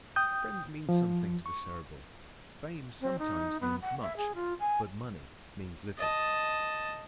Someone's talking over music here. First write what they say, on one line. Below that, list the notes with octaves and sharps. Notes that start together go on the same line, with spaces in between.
Friends mean something to the Cerebral, fame sometimes means much but money means little.
G5 D#6 G6
F3
C#6
C4
D#4
B3
F#5
E5
G#4
F4
G#5
D#5 A5